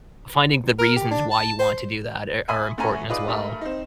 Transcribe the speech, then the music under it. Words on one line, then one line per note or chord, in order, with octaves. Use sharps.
finding the reasons why you want to do that e are important as well.
A#4
G4
D4
A5
C5
E5 G#5 B5 C6 D#6
F#2 A3 C#4 G#5 A#5 B5
D#4 F4 G#4 B4 D5 D#5
G2 A3 A#4
C4 D#4